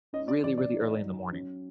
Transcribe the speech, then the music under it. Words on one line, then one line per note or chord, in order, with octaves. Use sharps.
really, really early in the morning,
C#4 D#5
D5
E3 D5
D5
D#4
F#3
C#4